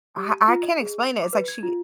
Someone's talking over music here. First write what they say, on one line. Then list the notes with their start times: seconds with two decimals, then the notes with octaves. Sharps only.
I I can't explain it. It's like she
0.17 G4
0.33 D#7
0.48 F4
0.63 D#5
0.81 G#4
1.01 F7
1.21 D6
1.33 B4
1.48 G#6
1.63 F4